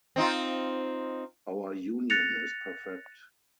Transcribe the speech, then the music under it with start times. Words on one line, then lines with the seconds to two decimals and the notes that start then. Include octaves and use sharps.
Our union is perfect.
0.16 C4 D#4 F4
2.10 F#6 A6 A#6 C#7 F7